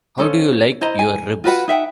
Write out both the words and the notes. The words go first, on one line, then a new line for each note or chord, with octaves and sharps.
How do you like your ribs?
C#4 A4 C5 F5
E4 C5 D#5 A#5
G#5
F4 F#4 B4 F#5
D#4 E5 F#5 G5